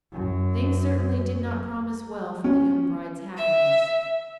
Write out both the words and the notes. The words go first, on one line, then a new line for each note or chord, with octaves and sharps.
Things certainly did not promise well for the young bride's happiness.
F#2
C#4
E5